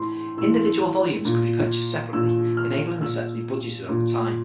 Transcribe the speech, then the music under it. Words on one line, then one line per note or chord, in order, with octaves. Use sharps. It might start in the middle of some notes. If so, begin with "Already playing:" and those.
Individual volumes could be purchased separately, enabling the set to be budgeted over time.
Already playing: A2 E3 C6
A2 E3 E6
A#2
A#2 E6
F6
A#2 E6
A#2